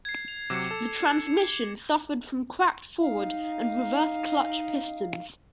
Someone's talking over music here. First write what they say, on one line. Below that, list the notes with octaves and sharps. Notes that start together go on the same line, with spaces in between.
The transmission suffered from cracked forward and reverse clutch pistons.
G#6 C7
F7
C3 F#3 D6 C#7
A4
C#7
D#4 F5